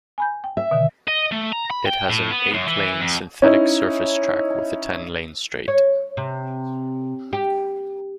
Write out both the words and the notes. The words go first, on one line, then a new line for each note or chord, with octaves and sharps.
It has an eight-lane synthetic surface track with a ten lane straight.
G#5 B5 G6
G5
E5
B2 D3 D#3
D#5
A3
A#5
B5
G5
A2
B3
F#2
E3
F2
C#4 D#4 E4
C#5
C3
G4